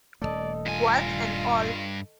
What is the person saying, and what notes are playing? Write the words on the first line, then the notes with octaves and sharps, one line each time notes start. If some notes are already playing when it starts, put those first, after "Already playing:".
Warts and all.
D#1 D#2 A3 A4 D5 D#5
G2 F4 G#5